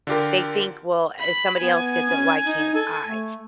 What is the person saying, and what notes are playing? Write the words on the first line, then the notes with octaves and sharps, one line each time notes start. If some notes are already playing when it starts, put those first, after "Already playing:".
they think, well, "If somebody else gets it, why can't I?"
D3 F4 G4 A#4
B5
B3 G#5
C#4
D#4
A4
A3